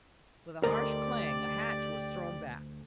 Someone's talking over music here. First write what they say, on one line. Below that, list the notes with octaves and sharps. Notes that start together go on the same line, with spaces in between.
With a harsh clang a hatch was thrown back.
D2 G4 A#4 C5 D5 D#5